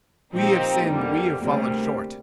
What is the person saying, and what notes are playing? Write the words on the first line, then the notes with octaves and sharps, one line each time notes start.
We have sinned, we have fallen short.
A#2 F3 C4 D#4 G4
F2 D3 G3 A#3
D2 C3 G3 A#3